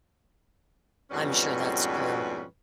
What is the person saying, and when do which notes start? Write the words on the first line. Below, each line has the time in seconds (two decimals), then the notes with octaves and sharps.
I'm sure that's true.
1.11 F2 G#2 B2 G3 C#4 B4